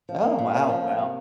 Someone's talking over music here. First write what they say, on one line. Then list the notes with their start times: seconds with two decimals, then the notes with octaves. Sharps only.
Oh, wow, wow.
0.09 F3
0.23 A#3
0.39 A#2
0.53 C#4
0.69 F3
0.84 A#3
0.99 C3